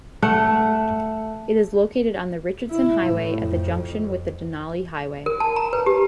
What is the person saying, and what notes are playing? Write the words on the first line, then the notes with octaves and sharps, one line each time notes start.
It is located on the Richardson Highway at the junction with the Denali Highway.
A3 F#5
E4
A2
F2
A#4
A5
A#5
B4
G4